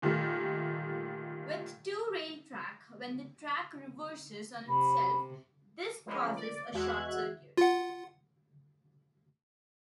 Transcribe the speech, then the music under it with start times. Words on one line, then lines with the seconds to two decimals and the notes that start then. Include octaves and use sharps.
With two-rail track, when the track reverses on itself, this causes a short circuit.
0.02 A#2 D#3 G3 A3
4.68 C3 B5
6.06 F3 G#3 A#3 B3 C#4
6.36 D5
6.73 E2 G#3 F#4 E5 F#6 G#6
7.57 F4 F#5